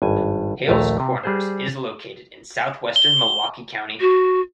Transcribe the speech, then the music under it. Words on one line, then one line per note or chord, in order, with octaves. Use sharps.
Hales Corners is located in southwestern Milwaukee County.
G#1 G2 G#5
A#1 D#2 A3 A#5
C3
G3 G#4 C5
G7
F#4